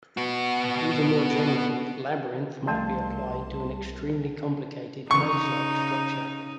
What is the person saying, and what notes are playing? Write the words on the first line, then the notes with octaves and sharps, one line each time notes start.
Even more generally, "labyrinth" might be applied to any extremely complicated maze-like structure.
B3 F#4
C2 F3 A3 F5 A5 C6
C#3 D#4 C#6